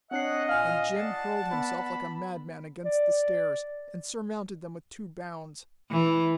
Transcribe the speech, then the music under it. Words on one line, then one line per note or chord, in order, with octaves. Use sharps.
And Jim hurled himself like a madman against the stairs, and surmounted them with two bounds.
C4 D4 C#5 D#5 F#5 C7
A#2 F5 G#5 F6
D5 F#5 A5 C7
B3 B5
D5
E3